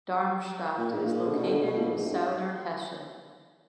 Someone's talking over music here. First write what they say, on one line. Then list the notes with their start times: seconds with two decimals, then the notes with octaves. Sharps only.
Darmstadt is located in southern Hesse.
0.78 A#2
0.92 G#2
1.05 A#2
1.27 D3
1.35 B2
1.44 D#3
1.49 D3
1.63 B2
1.78 A#2
1.91 G#2
2.06 F#2